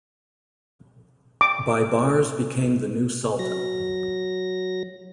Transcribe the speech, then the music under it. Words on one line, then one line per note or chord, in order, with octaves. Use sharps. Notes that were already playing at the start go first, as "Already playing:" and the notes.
Baibars became the new Sultan.
D6
F#3 A#6